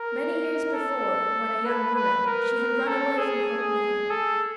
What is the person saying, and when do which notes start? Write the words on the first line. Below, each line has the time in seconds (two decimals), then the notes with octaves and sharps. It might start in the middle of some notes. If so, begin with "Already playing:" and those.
Many years before, when a young woman, she had run away from home with him.
Already playing: A#4
0.74 A4
1.65 B4
1.96 B4
2.26 A#4
2.87 A4
3.18 G#4
4.10 A4